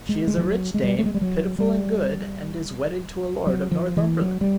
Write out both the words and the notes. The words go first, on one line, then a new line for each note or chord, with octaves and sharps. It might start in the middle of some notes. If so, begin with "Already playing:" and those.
She is a rich dame, pitiful and good, and is wedded to a lord of Northumberland.
G#3
G#3
F3
F#3
G#3
G3
A3
G#3
G3
F#3
G3
F#3
F3
E3
F#3
G3